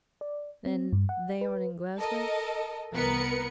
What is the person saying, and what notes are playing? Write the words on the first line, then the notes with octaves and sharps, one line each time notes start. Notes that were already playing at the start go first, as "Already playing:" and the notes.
"Then--they aren't in Glasgow?" I asked.
D5
C4
G2
F#5
B4
A4 A#4 D#5
C2 B3 A#4 B4 C#7